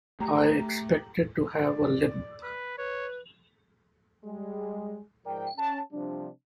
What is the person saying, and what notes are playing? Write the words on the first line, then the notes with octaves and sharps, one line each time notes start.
I expected to have a limp.
A3 G4 A#5
D5
B4
B4 C#5
G3 G#3
G#2 F3 A#4 D5 G5
C#4 A5
C3 F3 G3 D4